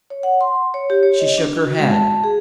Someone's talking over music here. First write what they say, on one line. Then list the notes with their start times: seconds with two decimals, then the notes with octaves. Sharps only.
She shook her head.
0.10 C#5
0.23 F#5
0.41 C6
0.74 C#5
0.90 G4
1.03 C#5
1.20 D#5
1.38 D4
1.65 F#4
1.79 G#3
1.91 A5
2.24 G#4